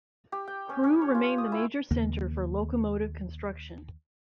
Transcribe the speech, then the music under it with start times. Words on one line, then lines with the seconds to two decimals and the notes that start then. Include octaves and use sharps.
Crewe remained the major centre for locomotive construction.
0.32 G4
0.47 G5
0.70 C#4
0.84 C#4
1.02 C#5
1.15 F4
1.38 D#6
1.52 E4
1.91 D#2 C#3 A#3